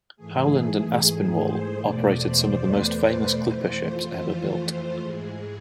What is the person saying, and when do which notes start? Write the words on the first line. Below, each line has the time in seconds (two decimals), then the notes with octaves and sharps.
Howland and Aspinwall operated some of the most famous clipper ships ever built.
0.17 G#2 E3 A3 G#4
1.38 C5
1.78 E2 B2 A3 D5
2.18 C5
2.58 B4
2.99 B4
3.39 F2 E3 A3 C5
3.79 F4
4.20 F4
4.60 F4
5.00 G#2 E3 G#3 G#4